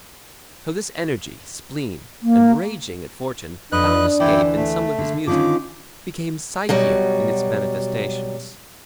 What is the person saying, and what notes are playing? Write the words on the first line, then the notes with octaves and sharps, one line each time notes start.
So this energy, spleen and raging at fortune found escape in some of his music, became psychical in its manifestations.
A#3
F2 D4 B4 D#5 F#6
D2 E3 E4 D5 G5
A3
D3
D3 D#3 C#4 F4 D6
B2 F#3 G3